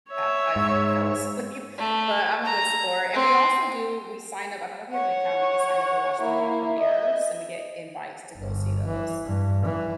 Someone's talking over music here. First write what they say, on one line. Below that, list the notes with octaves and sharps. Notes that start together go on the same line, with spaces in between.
I've I've fell asleep, but I'm a good sport, and we also do we sign up, I don't know if you have an account, we could sign up and watch movie premieres, and we get invites to go see those.
C#5 E5
G#2
A3
A#5
C4
C#5 F#5
A#3 E4
D#5 E5
G1
E3
G2
E3